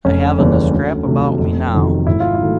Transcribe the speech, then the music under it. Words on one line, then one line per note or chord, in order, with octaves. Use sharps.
I haven't a scrap about me now.
F1 C#4
D#2 C#3 E3 G3 C#4
D2
C3 D#3 F#3 A3
F1
F2 C3 D#3 F#3
G#1 E4
F4
E4
D#3 F#3 A3